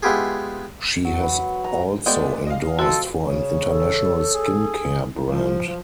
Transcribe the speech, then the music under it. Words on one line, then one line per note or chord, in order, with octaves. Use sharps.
She has also endorsed for an international skin care brand.
G#3 B3 E4 F4 G4 G#4
F#3
B4
A#5
G#3 A3 B3 G4 D5
D#5 F5
F3 C4 F#4 A4
C#3 C#5
A4
G#4
F3